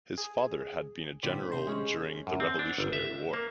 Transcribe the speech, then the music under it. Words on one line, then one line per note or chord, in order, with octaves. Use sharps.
His father had been a general during the Revolutionary War.
G#4
A2 D3 C4 D5 B5
C3 C5
G#3 C#4
F#2
C4
D4
G1
E5
A#3